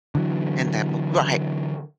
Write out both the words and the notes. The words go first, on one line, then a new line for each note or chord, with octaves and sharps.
And that mo right.
D3 E3 F#3